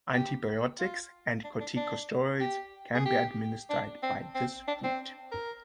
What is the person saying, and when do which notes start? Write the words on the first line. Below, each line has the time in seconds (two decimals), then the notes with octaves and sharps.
Antibiotics and corticosteroids can be administered by this route.
0.14 G4
0.79 F4
1.44 D4
1.60 D4
1.76 D4
2.41 G4
2.94 G#4
3.05 G4
3.70 D4
4.03 C4
4.35 C4
4.68 D4
4.84 C4
5.32 A#4